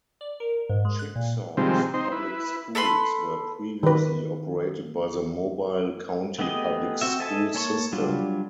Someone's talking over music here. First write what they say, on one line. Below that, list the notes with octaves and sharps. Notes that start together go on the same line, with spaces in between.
Chicksaw's public schools were previously operated by the Mobile County Public School System.
D5
A#4
G#2
G#3
F#6
A#2
C3 D#3 F3 G3 G#3 C4
C4 D#4 C5
E4 B4
A4 B4 B5 C6
D#3 B4
A3 B3 G4 G#4 D#5
C4 F#4 E5
A4 D#5 E5 G#5 A5
A#3 C#5 A5 C6 C#6
F#3 G3 D4 F4